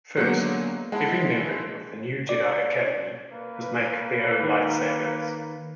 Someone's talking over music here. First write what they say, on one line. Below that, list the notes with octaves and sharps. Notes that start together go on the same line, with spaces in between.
First, every member of the New Jedi Academy must make their own lightsabers.
D3 F#3 G#3 A#3 B3
G#3 E4 F#5 A5
D5
A#3 B4
D#3